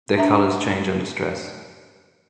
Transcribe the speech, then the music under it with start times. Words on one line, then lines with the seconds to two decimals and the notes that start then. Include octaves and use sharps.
Their colors change under stress.
0.17 D4 E5 A#5